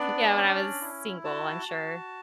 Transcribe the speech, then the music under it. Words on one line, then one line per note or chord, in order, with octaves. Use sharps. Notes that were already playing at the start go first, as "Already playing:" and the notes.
yeah, when I was single, I'm sure.
Already playing: B3 D4 D5
C#4
E4
F#4 A5
F#4